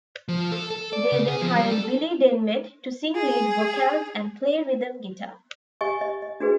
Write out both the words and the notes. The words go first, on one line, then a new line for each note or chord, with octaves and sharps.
They then hired Billy Denmead to sing lead vocals and play rhythm guitar.
F3
A4
A4
D5
C#3
G#4
F3
G3
A4
G#4
G4 D#5 G#5 C#6
D#5
D#5
D4 F#4 G#4 B4